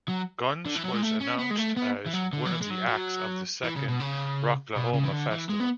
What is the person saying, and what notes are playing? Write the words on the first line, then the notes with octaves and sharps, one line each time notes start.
Guns was announced as one of the acts of the second Rocklahoma festival.
F#3
D3
E3
F#3
G#3
A3
C#4
B3
G#3
A3
B3
E3
F#3
D3
F#3
E3
G#3
F#3
F#3
E3
C#3
B2
C#3
B2
C#3
E3
D3
E3
G#3
B3